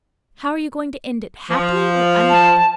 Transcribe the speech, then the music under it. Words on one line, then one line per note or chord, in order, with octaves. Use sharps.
"How are you going to end it--happily or unhappily?"
F3
A5